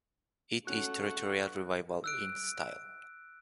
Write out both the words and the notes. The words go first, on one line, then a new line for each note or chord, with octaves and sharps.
It is Territorial Revival in style.
A3 C#4 F#4 F#5 C#6 F#6
E6 F#6 D7